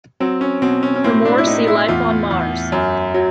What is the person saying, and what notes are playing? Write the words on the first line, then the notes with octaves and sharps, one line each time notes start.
For more, see Life on Mars.
F#3 C4
C#4
B2 C4
C#4
C#4
A2 C4
D4
E4
A2 D#4
E4
E2 F4
E2
F#2
F#3